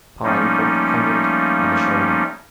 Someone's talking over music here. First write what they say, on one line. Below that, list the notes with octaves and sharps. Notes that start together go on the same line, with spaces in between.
Pine caught the convict by the shoulder.
F3 G3 A3 A#3 C#4 D#4